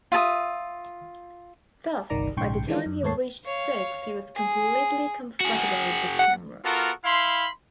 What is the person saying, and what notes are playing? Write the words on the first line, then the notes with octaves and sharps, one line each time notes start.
Thus, by the time he reached six, he was completely comfortable with the camera.
F4 E5 A5 D#6
G1 C2 D#3 D5 A#5
A#1 G#2 C#3 G5 C6 C#6
D#3 E3 G#3 C#4 D4 F4
F#2
D#2 G#2 A3 C#5 A5 C7
C#5 F5
G#4
F#4 G#4
F#5
B3 F4 F#4 A4 A#4
E4 F5 B5 C6